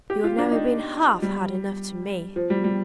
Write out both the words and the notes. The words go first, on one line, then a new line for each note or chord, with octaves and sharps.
You have never been half hard enough to me.
G4
F4
D4
D#4
G3
F3
G3
G3